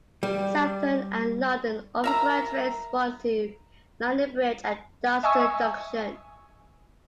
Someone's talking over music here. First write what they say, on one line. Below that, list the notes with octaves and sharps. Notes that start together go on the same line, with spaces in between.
Southern and London Overground trains run to London Bridge and Dalston Junction.
G3
A#4 E5 A#5
D#5 E5 G#5 C#6 D#6 E6